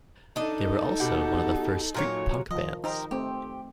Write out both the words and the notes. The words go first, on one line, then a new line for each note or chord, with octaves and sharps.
They were also one of the first street punk bands.
D4 D#4 A4 D#5
B2 G4 F#5
A#2 F#3 C#5
D#3 F3 D#5
D#4 G4 A#4 C5
A3 C4 G4